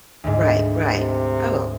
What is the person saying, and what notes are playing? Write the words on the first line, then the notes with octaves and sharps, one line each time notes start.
Right, right. Oh,
D2 G#2
C3